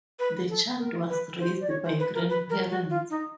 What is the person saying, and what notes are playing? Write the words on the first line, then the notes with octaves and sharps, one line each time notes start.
The child was raised by grandparents.
B4
A4
A#4
B4
C5
D5
C#5
C5
B4
A#4
B4
A#4
F#4
F4
D#4